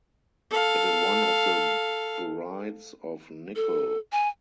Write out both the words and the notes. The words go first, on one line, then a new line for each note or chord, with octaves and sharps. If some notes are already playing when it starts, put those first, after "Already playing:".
It is one of the borides of nickel.
A4 F5
A4
G#5